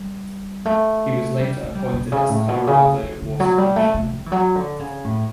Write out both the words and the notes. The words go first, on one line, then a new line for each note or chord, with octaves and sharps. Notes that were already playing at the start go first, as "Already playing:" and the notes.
He later was appointed as Colorado Water Commissioner.
Already playing: G3
A3
G3
A3
G3
B2
C#3
A2
B2
C#3
G3
E3
D3
F#3
G3
A3
A3
G3
E3
F#3
D3
C#3
A2